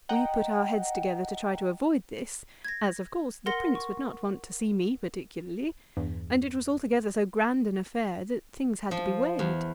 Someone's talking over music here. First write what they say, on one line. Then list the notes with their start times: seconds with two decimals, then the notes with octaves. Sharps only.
We put our heads together to try to avoid this; as, of course, the Prince would not want to see me particularly,--and it was altogether so grand an affair that things had to be weighed.
0.09 D#5 F#5 G5 A#5
2.65 G#6 A#6
3.46 A#4 F#5 C6 A#6 C#7 G7
3.75 C#6
5.97 E2 G2 E3
8.91 F3
9.39 E2